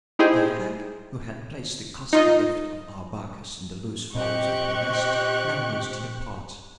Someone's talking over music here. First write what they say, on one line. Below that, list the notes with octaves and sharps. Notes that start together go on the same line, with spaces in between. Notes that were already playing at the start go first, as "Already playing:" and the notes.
The hag, who had placed the costly gift of Arbaces in the loose folds of her vest, now rose to depart.
D#4 E4 G4 G#4 C5
D#4 F4 D#5
A#2 C4 G4 D#5 C#6 F#6